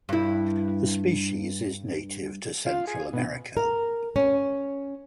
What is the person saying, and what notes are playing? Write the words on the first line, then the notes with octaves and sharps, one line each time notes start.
The species is native to Central America.
G2 E4
F4
G#4
B2
A#4
C#4